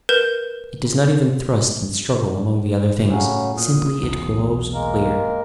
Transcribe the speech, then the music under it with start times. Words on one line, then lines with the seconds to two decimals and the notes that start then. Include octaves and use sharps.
It does not even thrust and struggle among the other things; simply it grows clear.
0.09 A#4 B4 G6 E7
3.10 A2 C#3 F#3 C#4
3.58 A#2 D#6
4.03 B1 E2
4.74 G#3 A#3 A#4